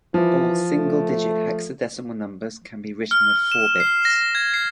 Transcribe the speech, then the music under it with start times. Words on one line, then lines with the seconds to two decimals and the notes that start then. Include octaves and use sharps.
All single digit hexadecimal numbers can be written with four bits.
0.14 E3 F3
0.75 A3
3.11 F6
3.52 E7
3.80 C7
4.05 A#6
4.35 G#6
4.54 C7